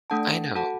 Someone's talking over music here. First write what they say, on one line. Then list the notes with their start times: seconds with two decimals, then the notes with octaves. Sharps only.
I know.
0.10 A3 D4 A4 F#5 A5
0.55 F#4 A4 F#5 A5